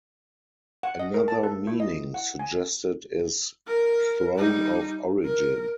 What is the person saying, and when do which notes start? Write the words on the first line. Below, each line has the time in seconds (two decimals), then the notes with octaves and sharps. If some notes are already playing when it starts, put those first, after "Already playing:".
Another meaning suggested is "Throne of Origin".
0.83 F#5
0.99 D#5
1.14 A#4
1.28 A5
1.43 A4
1.67 E4
1.80 D#5
2.14 F#5
2.39 G#5
3.67 A#4
4.36 G3 D#4
5.25 A#4